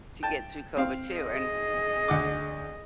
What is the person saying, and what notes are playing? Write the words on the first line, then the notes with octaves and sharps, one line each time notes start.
to get through COVID, too, and
G5 A5
C4 F5
G#4 D#5
D2 F#5 D6